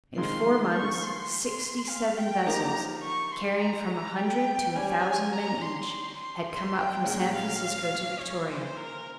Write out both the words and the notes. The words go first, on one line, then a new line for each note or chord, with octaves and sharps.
In four months sixty-seven vessels, carrying from a hundred to a thousand men each, had come up from San Francisco to Victoria.
D#3 G#3 C4 F4 C6
C#6
C6
C6
F5
G5
F3 A#3 D#4 G4 A#4 A#5
C#6
C6
A#5
G5
G3 C#4 G4 G#5
A#5
C6
C6
C6
C6
G5
A#2 G#3 C#4 F4 G5
F5
C#5
C5
A#4